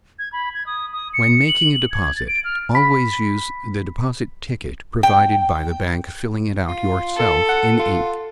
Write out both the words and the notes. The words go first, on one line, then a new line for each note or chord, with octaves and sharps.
When making a deposit, always use the deposit ticket provided by the bank, filling it out yourself in ink.
G#6
B5
G#6
D#6
D#6
C#7
F#7
F#7
G#6
A6
D7
F6
B5 B6
G5
F4
A4
F#5
F4